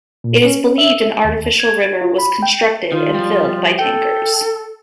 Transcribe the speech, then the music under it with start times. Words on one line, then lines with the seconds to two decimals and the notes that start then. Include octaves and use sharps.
It is believed an artificial river was constructed and filled by tankers.
0.24 A#2
0.45 C#4
0.78 E5
1.25 D#2
1.60 G#6
2.01 F4
2.18 B5
2.43 G5
2.92 D#3 F4
3.15 F3 G3
3.79 A4 G5